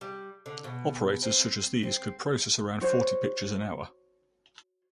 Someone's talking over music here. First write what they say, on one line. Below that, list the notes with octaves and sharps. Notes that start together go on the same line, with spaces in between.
Operators such as these could process around forty pictures an hour.
G3
D3
B2
C4
C4
F#4 C5 C#5